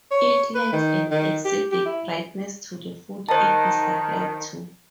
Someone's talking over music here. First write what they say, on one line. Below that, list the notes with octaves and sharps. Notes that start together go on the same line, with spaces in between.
It lends an acidic brightness to the foods it is applied to.
C#5
B4
D#3
D#3
G4
G4
E4
D#3 C5 A5